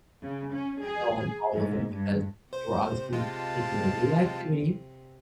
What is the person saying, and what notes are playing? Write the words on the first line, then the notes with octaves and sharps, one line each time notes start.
blackmail on all of 'em because they were obviously partaking in illegal activity
C#3
C#4
G#4
G#2
G2
C3 C5
G#3 F4 F5 G5 A5